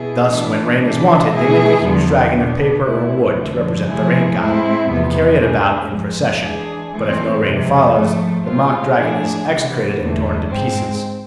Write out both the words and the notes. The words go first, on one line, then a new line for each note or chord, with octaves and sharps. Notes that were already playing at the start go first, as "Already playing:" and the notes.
Thus, when rain is wanted they make a huge dragon of paper or wood to represent the rain-god, and carry it about in procession; but if no rain follows, the mock-dragon is execrated and torn to pieces.
Already playing: B2 B3 E4 G#4
A2 E3 B3 D4
C3 E3 G#3 D4
B2 A3 E4 G#4
E2 D3 F3 B3
B2 B3 D4
B2 A3 E4
F2 D3 F3 A3
C3 F3 A3 E4 G#4
A2 G#3 C4 E4
E2 C3 F3 B3
B2 G#3 D4 G#4
G#2 F3 G#3
E3 G#3 D4 G#4
E3 A3 C4
F2 C3 G#3
G#2 F3 A3
A2 G#3 C4 F4
A2 F3 A3 D4 G#4
C3 E3 G#3 B3 D4
E2 D3 A3
G#2 G#3 C4